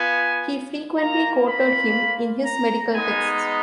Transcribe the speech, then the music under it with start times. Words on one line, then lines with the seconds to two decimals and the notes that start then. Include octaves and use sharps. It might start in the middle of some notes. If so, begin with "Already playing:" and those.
He frequently quoted him in his medical texts.
Already playing: B3 F4 G#5
0.97 A#3 F4 A#5
1.46 B5
2.44 A#5
2.93 G#3 B3 D#4 G#5